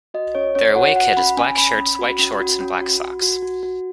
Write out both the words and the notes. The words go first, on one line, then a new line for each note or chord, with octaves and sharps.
Their away kit is black shirts, white shorts and black socks.
F#4 D#5
C#4 C#5
C#4 C#5
F#4 F#5
F#4 F#5
C#4 B5
C#4 G#5
C#4 B5
C#4
F#4
C#4
F#4
C#4
F#4
F#4
F#4
F#4
F#4